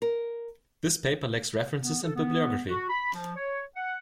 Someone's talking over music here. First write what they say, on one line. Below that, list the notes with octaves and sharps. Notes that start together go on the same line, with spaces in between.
This paper lacks references and bibliography.
A#4
B3
A4
B3
F#4
B5
F3
C#5
F#5